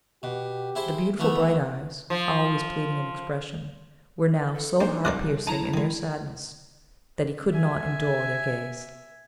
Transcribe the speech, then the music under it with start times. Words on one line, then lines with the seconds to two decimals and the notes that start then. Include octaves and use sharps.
The beautiful bright eyes, always pleading in expression, were now so heart-piercing in their sadness, that he could not endure their gaze.
0.23 B2 G4
0.75 E4 G#4 C5
1.19 E3 A3 B3
2.10 F3
4.55 A4
4.81 A#3 D4 D#4 C5
5.05 C2 A#4 D5 D#5 D6 F#6
5.47 D#4 E4 A5 A#5
5.74 D#3 G#3
7.51 E5 G#5